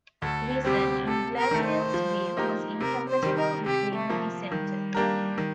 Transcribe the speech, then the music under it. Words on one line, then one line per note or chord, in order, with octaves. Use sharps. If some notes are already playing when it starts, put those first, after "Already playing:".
Reason, in Glanvill's view, was incompatible with being a dissenter.
D2 A4
C3 G3 C4 G4
C3 A4
A#4
D#3 A3
C5
F3
A#3 D#4 G4 A#4
C3 A#4
C5
D#3 G3
A#4
C3 G4
A3
F3 A#3
D#3 G3
A#3 D4 G4 A#4
D#3